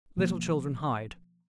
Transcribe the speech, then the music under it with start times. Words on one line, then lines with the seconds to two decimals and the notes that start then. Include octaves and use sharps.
Little children hide.
0.18 B2 F3 A#3